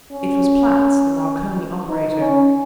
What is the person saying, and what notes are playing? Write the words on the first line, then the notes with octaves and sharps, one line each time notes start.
It was Platts, the Marconi operator.
C#4
D#4
C#4